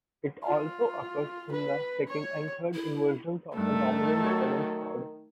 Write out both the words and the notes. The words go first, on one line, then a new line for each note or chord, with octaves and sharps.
It also occurs in the second and third inversions of a dominant seventh chord.
F4
B4
C#5
E4
G2 D#3 A3
F#3 C#5